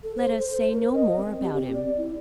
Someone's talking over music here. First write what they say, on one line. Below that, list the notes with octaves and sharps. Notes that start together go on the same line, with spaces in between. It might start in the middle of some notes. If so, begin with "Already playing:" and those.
Let us say no more about him.
A4
C5
C5
C5
A#4
D#5
C4
G4
C4
D5
E4